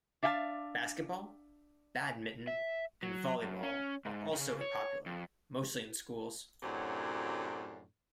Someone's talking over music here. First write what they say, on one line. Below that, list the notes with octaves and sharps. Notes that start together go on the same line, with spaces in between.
Basketball, badminton and volleyball are also popular, mostly in schools.
D4 E5 F5 G5 A5
E5
F#3
F#2
C#4
G#2
C#3
C#5
F2
F#2 A2 C3 F#3 D4